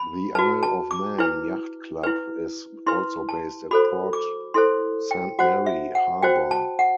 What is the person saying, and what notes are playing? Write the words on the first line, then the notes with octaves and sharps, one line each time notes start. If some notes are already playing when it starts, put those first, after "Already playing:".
The Isle of Man Yacht Club is also based at Port Saint Mary harbour.
Already playing: B5
F#4 B4 A5
A5
D6
E4 B4
E4 B4
E4 B4 C6
A5
F#4 A4 C5 B5
D6
E4 A4 C5 C6
G5
F#4 C5 F#5
E5
F#5
F#4 C5 G5
A5
F#5